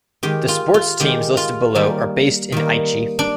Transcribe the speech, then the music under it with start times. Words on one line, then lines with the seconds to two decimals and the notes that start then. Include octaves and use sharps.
The sports teams listed below are based in Aichi.
0.23 D#3 G#3 G4
0.48 F4
0.74 F4
1.00 D#3 G#3 G4
1.37 F4
1.75 D#3 G3 A#3
2.52 D#3 G3 A#3
3.19 D4